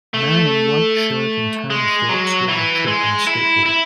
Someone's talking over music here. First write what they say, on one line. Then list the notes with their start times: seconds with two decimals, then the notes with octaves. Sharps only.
Man in white shirt and tan shorts doing a trick on a skateboard.
0.14 A3
1.70 G#3
2.09 F#3
2.48 E3
2.87 G#3
3.27 E4
3.66 E4